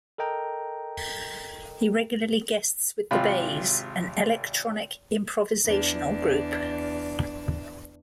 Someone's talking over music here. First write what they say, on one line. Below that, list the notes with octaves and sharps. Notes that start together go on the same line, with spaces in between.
He regularly guests with The Bays, an electronic improvisational group.
A4 A#4 D#5 G5 A#5
G#1 C3 F4 B5
E2 D4